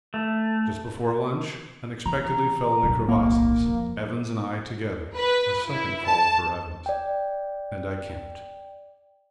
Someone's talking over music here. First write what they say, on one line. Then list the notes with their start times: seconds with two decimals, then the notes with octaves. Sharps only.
Just before lunch unexpectedly fell into crevasses, Evans and I together--a second fall for Evans, and I camped.
0.14 A3
2.06 E3 A#5
2.83 D1 B1
3.09 A#3
3.66 F2
5.16 B4
5.65 E4
6.06 A5
6.86 D5 G5